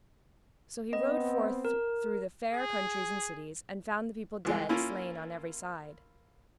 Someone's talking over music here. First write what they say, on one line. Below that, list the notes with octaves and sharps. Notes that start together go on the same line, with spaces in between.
So he rode forth through the fair countries and cities, and found the people dead, slain on every side.
B3 C4 D#5
A#4
G#4
C2 E3 G#3
A#3 C#4 E4 F4